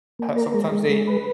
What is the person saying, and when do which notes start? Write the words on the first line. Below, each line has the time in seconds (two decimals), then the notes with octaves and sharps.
sometimes they
0.19 A#3
0.36 A#4
0.54 G#3
0.72 G#3
0.89 G#3
1.07 B4